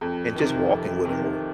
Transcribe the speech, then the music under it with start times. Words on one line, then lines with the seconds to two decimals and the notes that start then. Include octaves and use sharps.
and just walking with 'em, or
0.01 F2
0.35 C3 D#3
0.70 F2
1.05 C3 D#3